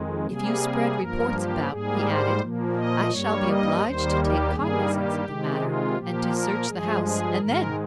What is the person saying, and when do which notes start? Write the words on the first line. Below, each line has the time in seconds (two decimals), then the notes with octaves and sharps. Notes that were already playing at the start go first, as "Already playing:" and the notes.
"If you spread reports about," he added, "I shall be obliged to take cognizance of the matter, and to search the house, and then!..."
Already playing: F2 D#3 G#3
0.26 C3 G3 A#3 G#4
0.98 G2 F3 A#3 A#4
1.33 G4
1.69 G#2 G3 A#3 G#4
2.05 C5
2.40 A#2 F3 A#3
2.76 D#5
3.11 G2 G3 A#3 C#5
3.47 D#5
3.83 D#2 D#3 G3 A#3 C5
4.18 G4
4.53 G2 D#3 G3 A#3 G#4
4.90 G4
5.25 C3 D#3 G#3
5.61 F4
5.95 A#2 F3 A#3 G4
6.32 A#4
6.67 G2 F3 G#3 G#4
7.03 G#4
7.38 G#2 D#3 G#3 A#4